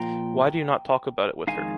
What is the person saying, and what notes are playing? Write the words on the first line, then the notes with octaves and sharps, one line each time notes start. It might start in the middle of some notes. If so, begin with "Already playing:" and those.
Why do you not talk about it with her?
Already playing: A#2 F3 A#3 F4 G5 A#5
F2 D#3 G#3 D#4 F5 G#5